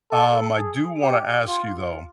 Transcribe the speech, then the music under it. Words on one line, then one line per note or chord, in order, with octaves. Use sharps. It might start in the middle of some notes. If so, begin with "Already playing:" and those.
um, I do wanna ask you, though,
A4
G#4
G4
F4